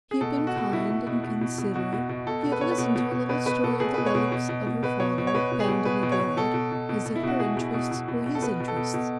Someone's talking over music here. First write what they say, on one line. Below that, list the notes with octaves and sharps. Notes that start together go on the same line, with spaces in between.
He had been kind and considerate; he had listened to her little story of the relics of her father, found in the garret, as if her interests were his interests.
G#4
B2 A4
B2
F#4
B2
B2 E4
B2
B2
B2
B2
B2
B2 F#4
B2
B2
B2 A4
B2
B4
B2 C#5
B4
B2
B2
B2
B2 B4
B2 B4
B2 A4
B2 G#4
B2 B4
C#5
B2
B2
B2
B2
B2 B4
B2 C#5
B2
C#5
B2 B4
B2
G#4
B2
B2 B4
B2
C#5
B2
B2 A4
B2
B2
B2
B2
E4
B2 F#4
B2 G#4
B2
B2
B2
B2
B2
A4
B2 B4
B2
A4
B2
B2